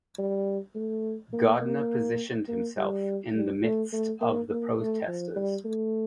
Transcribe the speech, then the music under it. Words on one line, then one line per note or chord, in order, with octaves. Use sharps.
Gardner positioned himself in the midst of the protestors.
G3
A3
A#3
A#3
A#3
G3
G3
A3
A3
A#3
A#3
A3
F3
G3
A3